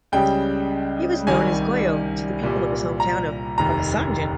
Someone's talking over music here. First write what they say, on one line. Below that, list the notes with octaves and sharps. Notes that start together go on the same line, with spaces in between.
He was known as "Goyo" to the people of his home town of Pagsanjan.
C#2 C#3 G3 G5
C2 C3 D#3 G3 G#5
C2 A#2 G3
A#5
F1 D#2 D#3 A#5